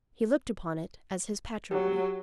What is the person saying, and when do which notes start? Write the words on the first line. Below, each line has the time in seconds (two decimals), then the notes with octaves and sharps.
He looked upon it as his patrimony.
1.71 F#3 G4